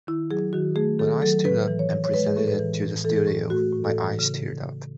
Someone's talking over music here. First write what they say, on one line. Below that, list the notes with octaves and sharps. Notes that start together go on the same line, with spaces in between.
When I stood up and presented it to the studio, my eyes teared up.
D#3 E4
F#3 G#4
D#3 F#4
A3 G#4
D#3 A4
F#3 A4
A2 B4
E3
C#5
A2
C#5
G#3 B4
G#4
A2 A4
B4
E3
A2
E3 A4
G#4
A2
A3 F#4
A2
A4
E3
C#3